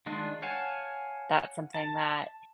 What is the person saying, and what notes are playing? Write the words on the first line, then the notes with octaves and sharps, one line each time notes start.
That's something that,
D#3 G#3 D4 F4
C#5 F5 F#5 G#5 A5
A5